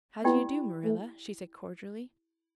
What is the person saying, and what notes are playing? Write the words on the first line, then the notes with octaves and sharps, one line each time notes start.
"How do you do, Marilla?" she said cordially.
B3 E4 G4 D5 G5 B5
A3